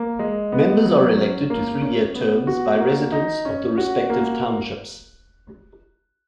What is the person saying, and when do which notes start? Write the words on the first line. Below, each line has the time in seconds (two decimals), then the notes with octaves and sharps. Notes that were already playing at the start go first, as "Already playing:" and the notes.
Members are elected to three-year terms by residents of the respective townships.
Already playing: A#3
0.19 G#3
0.52 B3
0.85 F#3
1.17 C#4
1.50 A#3
1.82 C#4
2.15 B3
2.47 F#4
2.80 A#3
3.12 D#4
3.45 C#4
3.77 F#4
4.10 A#3